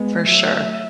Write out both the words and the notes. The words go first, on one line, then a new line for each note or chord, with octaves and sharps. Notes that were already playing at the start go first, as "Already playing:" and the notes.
For sure.
Already playing: G#3 B3
F#3 A3 E5